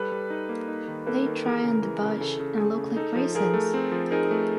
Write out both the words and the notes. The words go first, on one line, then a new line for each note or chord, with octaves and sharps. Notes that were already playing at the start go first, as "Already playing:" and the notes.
They dry on the bush and look like raisins.
Already playing: G3 A4 B4
G3
D#4
A#3
D#4
D#3
A#3 A4 B4
D#3
E3 G#4 A#4
C#3
E3
C#3
C#3 A4
C#3
A3 G#4
C#3
D#4 A4
F3
F3 G#4 A#4
A3
C4
F3
D#4 G#4 A#4
A3